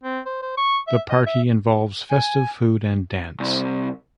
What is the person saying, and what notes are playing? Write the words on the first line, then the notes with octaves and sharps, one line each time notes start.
The party involves festive food and dance.
C4
C5
C5
C#6
E5
D#5
E5
G#5
C2